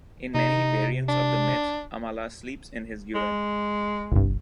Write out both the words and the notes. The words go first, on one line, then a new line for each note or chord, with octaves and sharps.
In many variants of the myth, Amala sleeps in his urine.
C3 D#4
D4
G#3
G1 C2 G2